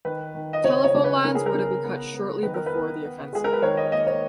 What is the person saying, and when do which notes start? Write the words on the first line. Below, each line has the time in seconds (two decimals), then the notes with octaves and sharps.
Telephone lines were to be cut shortly before the offensive.
0.05 D#3 B4
0.35 D#3
0.53 D#5
0.64 C#3 C#5
0.84 C#5
0.95 C#3
1.04 B4
1.24 C#3 A#4
1.35 G#4
1.46 A#4
1.54 C#3
1.84 B3
2.14 B3
2.43 D#3 B4
2.54 A#4
2.66 B4
2.73 B3
3.03 B3
3.33 G#3 G#4
3.44 A#4
3.53 B4
3.62 D#3 C#5
3.77 D#5
3.92 A#3 D#5
4.07 C#5